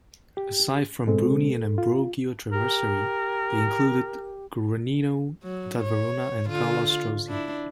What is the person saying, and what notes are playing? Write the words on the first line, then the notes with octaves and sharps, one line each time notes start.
Aside from Bruni and Ambrogio Traversari, they included Guarino da Verona and Palla Strozzi.
G4
B2 G#3 C4 A4
F4
G4 A#4
F#3
C#5
D3 F4
D4 E4